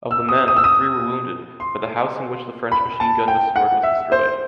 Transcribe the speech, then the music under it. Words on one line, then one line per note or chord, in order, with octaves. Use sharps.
Of the men, three were wounded, but the house in which the French machine gun was stored was destroyed.
E6
D#6
D#6
E6
D#6
C6
B5
A5
G5
F#5
E5
C5